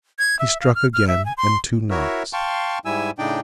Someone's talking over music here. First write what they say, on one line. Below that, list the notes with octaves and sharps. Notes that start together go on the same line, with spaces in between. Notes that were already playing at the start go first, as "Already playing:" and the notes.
He struck again, and two knocks.
G#6
E5
F5
F6
F6
E5
G#5
C6
E4 F#4 A#4 C#5 E5
F5 G5 A5 C6 C#6
G#2 G3 E4 G#5 E6
A2 C#3 D4 D#4 D5 G5